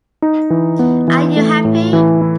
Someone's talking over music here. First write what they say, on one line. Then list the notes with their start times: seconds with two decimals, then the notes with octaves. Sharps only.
Are You Happy?
0.22 D#4
0.50 E3
0.79 B3
1.08 E3
1.37 A3
1.65 A2
1.93 E3
2.21 E4